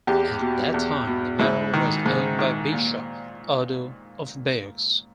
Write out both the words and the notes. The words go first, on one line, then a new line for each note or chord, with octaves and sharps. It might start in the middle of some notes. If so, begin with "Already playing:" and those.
At that time the manor was owned by Bishop Odo of Bayeux.
E2 G4
B2
E2
B2
G#2 E4
D#3
G#2
D#3
A#2